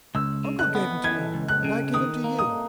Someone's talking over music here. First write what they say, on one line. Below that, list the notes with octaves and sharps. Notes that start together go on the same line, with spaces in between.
Uncle gave him to me, and I give him to you.
C#2 E6
C#3
F#6
B3
E3 G#6
C#2
F#6
C#3
D#3 D#6
A#3
D#6